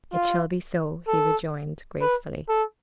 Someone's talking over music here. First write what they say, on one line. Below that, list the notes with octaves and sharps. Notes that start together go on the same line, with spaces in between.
"It shall be so," he rejoined, gracefully.
F4
A4
B4
A4